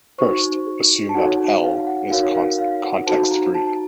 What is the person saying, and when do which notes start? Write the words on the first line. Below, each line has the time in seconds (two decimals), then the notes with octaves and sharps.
First, assume that "L" is context free.
0.18 D#4 F#4 C5 C#6
1.09 A5
1.15 D#4 F#4 A4 C#5 F#5
1.63 F5
1.87 F#5
2.10 D#4 F#4 A#4 C#5 F5
2.35 F5
2.59 F5
2.83 F#5
3.06 D#4 F#4 A4 C5 A5
3.31 A#5
3.55 A5